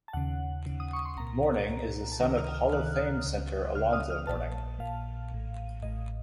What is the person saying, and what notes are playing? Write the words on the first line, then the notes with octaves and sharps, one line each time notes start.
Mourning is the son of Hall of Fame center Alonzo Mourning.
A5
D#2 C#3 F#5
D#2 C#3
D#6
C#6
C6
C2 A#2 A#5
C2 A#2
A5
C#2 C3 D#3 A#5
D#6
F6
F6
C#2 C3 D#3 F#6
C#2 C#3
C#2 C#3 F6
D#6
F6
A#1 A#2 A5
A#1 A#2 F5
A1 A2
A1 A2 D#5